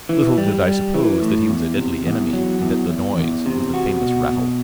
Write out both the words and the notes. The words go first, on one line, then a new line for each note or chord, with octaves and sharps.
Little did I suppose that he was a deadly enemy and that the noise was the famous rattle.
E3
G3
G3
E3
A2
E2
C3
E2
F#3
E2
E2
E2
C3
F#4
B2
B2